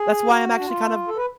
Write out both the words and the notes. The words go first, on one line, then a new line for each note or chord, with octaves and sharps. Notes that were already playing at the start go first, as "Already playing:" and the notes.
That's why I'm actually kind of
Already playing: G#4
F#4
D4
F4
A4
B4